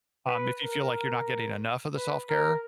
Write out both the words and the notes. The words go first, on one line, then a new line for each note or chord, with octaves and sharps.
um, if you feel like, you're not getting enough of the self-care,
B4
A#4
B4
A#4